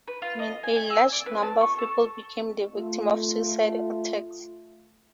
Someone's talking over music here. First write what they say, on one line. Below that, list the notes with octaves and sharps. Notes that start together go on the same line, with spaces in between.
A large number of people became the victim of suicidal attacks.
B4
F4
D#5
G#5
G#5
E6
D5
B4
A5
C#6
A4
A3 F4